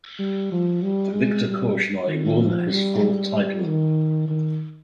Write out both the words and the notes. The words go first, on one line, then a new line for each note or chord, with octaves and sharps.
Viktor Korchnoi won his fourth title.
G3
F3
G3
G#3
G3
D#3
F3
G3
G3
D#3
D#3